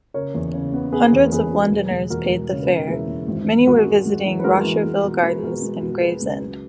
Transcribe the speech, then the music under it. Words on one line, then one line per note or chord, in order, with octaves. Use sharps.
Hundreds of Londoners paid the fare; many were visiting Rosherville Gardens in Gravesend.
C#3 A#4 C#5
E2
C#3
B3
B3 G#4 B4
E2
A#4
E2 G#4 B4
F#3
E1
E1
E2 F#4 A#4
E1
C#3 C#5
B4
E1
A#4
E1 E4 G#4
E2
G#1
E3
G#1 F#4 A#4
G#3
G#3
E3
B4
G#3 F#4 A#4
E3
G#3
B2
G#3 B4
A#4
G#4
B2 F#4 A#4
G#3
B2
B2 G#4 B4
C#2
F#3